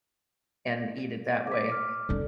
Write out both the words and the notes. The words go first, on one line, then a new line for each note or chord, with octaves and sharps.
and eat it that way.
D6 B6
D6 F6
B1 D4 A4 D5